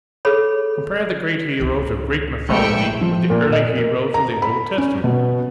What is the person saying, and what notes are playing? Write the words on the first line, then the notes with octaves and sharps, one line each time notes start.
Compare the great heroes of Greek mythology with the early heroes of the Old Testament.
G#4 A4 C#5 B5
C#2 D#3
A#1 C3 E3 G#3 A3 E5 G5 C#7
F3
A#2
D#5
A#4
A#5
B5
C#4
B2